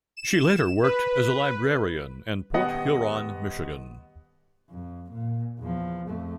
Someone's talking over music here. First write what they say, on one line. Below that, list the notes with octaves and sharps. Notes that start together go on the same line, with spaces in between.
She later worked as a librarian in Port Huron, Michigan.
E7
B4
D#1 B3 D#5 F#5
F2
A#2
E2 F3
F2 A3